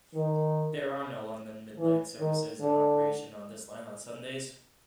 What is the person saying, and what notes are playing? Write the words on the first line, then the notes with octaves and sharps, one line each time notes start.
There are no London Midland services in operation on this line on Sundays.
D#3
E3
D#3
D3